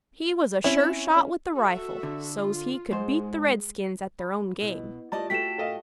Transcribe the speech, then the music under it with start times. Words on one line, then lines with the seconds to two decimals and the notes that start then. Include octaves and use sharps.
He was a sure shot with the rifle so's he could beat the redskins at their own game.
0.64 C4 C#4 E4 E7
1.16 C#4
1.54 F#4 A4 E5
2.03 D3
2.35 F4
2.92 G#2 G#3 C5
4.19 B5
4.61 B2 E4 D#5
5.12 A3 F4 G4 D5 D#5 A5
5.30 A3 F#4 G5 B6 E7
5.58 A4 D#5 F5